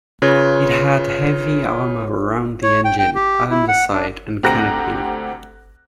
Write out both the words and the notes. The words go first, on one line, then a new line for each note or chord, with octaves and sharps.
It had heavy armour around the engine, underside and canopy.
C#3 F4 B4 C#5
C#5
G5
G5
G4
E4
F#5
D4
D2 C4 G4 A#5 F#6 A#6